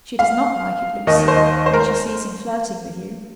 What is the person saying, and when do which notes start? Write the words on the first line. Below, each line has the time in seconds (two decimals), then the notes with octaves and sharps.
"She does not like it, Lucy, when she sees him flirting with you."
0.19 F5
1.07 D#2 D#3 D#5
1.28 C5
1.37 D#5
1.66 C5
1.74 A#4
1.80 C5